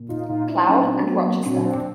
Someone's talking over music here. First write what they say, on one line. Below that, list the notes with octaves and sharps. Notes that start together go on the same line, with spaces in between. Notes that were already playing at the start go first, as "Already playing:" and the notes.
Cloud and Rochester.
Already playing: A#2
D#4 F4
A#2 D#4 F4
D4 E4
F#3 C#4 D#4
C4 D4
F#3 B3
A#3 C4
A#2 C4 D4
C4 D4